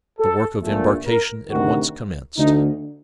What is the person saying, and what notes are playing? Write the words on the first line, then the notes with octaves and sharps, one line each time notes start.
The work of embarkation at once commenced.
A4
A#1 A#2 A3
A#4
D2 C3 D#3 F#4
D2 D3 A3 D#4